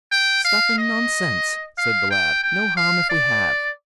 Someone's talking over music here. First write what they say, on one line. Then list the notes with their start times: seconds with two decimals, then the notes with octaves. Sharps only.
'Stuff and nonsense!' said the lad; 'no harm if we have.'
0.12 G5
0.45 F5
0.78 D#5
1.78 F5
2.11 G5
2.44 G5
2.77 F5
3.10 D5